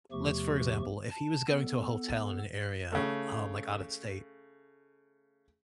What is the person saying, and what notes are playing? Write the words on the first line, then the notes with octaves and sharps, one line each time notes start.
Let's for example, if he was going to a hotel in an area, um, like out of state,
E2 C3 F3 A3 G4 C#6
A5
B3 A4
C#3 A3